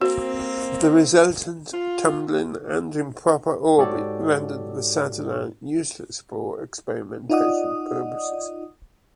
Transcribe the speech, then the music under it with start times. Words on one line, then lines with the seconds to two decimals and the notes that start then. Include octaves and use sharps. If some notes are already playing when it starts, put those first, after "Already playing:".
The resultant tumbling and the improper orbit rendered the satellite useless for experimentation purposes.
0.01 A#3 C4 F#4
1.72 F4
3.78 G#2 F#4 G4 A4 C#5 D5
7.30 D#4 F4 D5 D#5 F#5 D#6